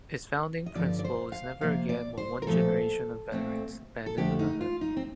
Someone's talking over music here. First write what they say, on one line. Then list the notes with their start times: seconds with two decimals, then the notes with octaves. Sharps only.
Its founding principle is Never again will one generation of veterans abandon another.
0.66 D#5
0.75 G2 D3 F3 D5
0.99 D5
1.04 C5
1.32 F5
1.61 C3 F3 A#3 F5
1.89 D5
2.17 C5
2.42 A#4
2.47 A#2 F3 A3 C4 A4
3.32 A#2 A3 C4
4.06 A4
4.17 F2 D3 A3 G4
4.39 D#4
4.61 F4
4.81 D#4
4.97 C4